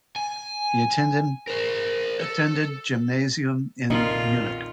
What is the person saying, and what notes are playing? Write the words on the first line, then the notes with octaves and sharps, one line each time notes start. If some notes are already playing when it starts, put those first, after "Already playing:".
He attended Gymnasium in Munich.
G#5
A#4 C5
A4
B1 F2 A#2 D#3 D#4 F4